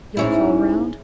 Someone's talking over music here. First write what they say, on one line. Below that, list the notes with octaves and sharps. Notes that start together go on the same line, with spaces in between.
"You'll call round?"
G#2 C#4 E4